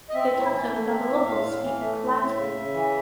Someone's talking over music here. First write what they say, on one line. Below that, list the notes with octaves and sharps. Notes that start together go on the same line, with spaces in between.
They tell him that the locals speak Latin.
D#5
C4 E5
A2
E3
A3
C4
A2
A2 F5
A2
F5
E3
A3 E5
A2
A2
C#3
C#3
E3